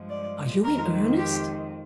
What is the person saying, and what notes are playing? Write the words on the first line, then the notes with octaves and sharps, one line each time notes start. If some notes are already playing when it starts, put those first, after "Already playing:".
"Are you in earnest?"
Already playing: G2 F3 G#3
D5
F2 D#3 G#3 A#4
G4